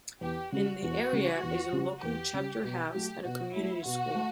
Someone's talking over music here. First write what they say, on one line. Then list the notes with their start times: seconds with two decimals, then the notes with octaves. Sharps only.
In the area is a local Chapter House and a community school.
0.21 E2 G4
0.52 C#3 G3 F#4
0.82 E2 F#4
1.13 C#3 G3
1.43 E2
1.73 C#3 G3
2.03 E2 G4
2.34 C#3 G3
2.64 B2 G4
2.94 F#3 A3 G4
3.25 B2 F#4
3.54 F#3 A3 E4
3.85 B2 F#4
4.15 A3